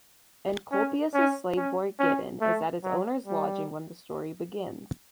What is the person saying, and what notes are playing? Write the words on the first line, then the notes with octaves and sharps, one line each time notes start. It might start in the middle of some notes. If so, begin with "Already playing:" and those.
Encolpius's slave boy, Giton, is at his owner's lodging when the story begins.
C#4
C#4
C#4
C#4
A3
F#3
G3